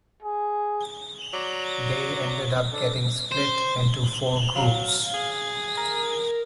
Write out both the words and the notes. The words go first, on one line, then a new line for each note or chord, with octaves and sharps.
They ended up getting split into four groups.
G#4
F#3 D5 A#5 D6
D4 A4
C5
F#3 F5
G#4
A#4